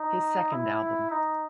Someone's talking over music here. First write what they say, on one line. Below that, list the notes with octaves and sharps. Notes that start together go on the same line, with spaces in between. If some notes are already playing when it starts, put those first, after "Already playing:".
His second album.
Already playing: D#4
E4
D#4